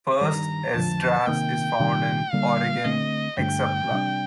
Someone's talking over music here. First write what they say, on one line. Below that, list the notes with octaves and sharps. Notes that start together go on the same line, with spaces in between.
First Esdras is found in Origen's "Hexapla".
G2 D#3 G3 A#5
F2 D3 F3 A5
C3 D#3 A#3 G5
C3 D#3 G3
D3 G3 A#3 F5
D3 A3 C4 D#5
G2 D3 A3 G5
C3 G3 D4